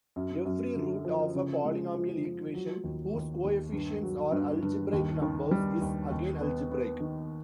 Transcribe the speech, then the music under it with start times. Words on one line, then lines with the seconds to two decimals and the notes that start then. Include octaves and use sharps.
Every root of a polynomial equation whose coefficients are "algebraic numbers" is again algebraic.
0.16 F#2
0.45 F#2
0.76 D3
1.05 F3
1.35 C#3
1.65 G#3
1.95 F3
2.24 F3
2.55 F#3
2.84 D#2
3.14 D#2
3.44 D#2
3.73 G2
4.03 F#3
4.32 G2
4.63 G2
4.93 D#2
5.22 D#3
5.51 G3
5.81 D#2
6.11 D#2
6.41 B3
6.72 B3
7.00 D#3